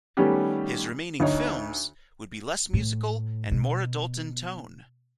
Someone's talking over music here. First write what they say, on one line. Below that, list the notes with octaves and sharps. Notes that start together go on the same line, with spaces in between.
His remaining films would be less musical and more adult in tone.
D#3 G3 A3 B3 C#4 G4
D2 D#4 C#5
A2
B2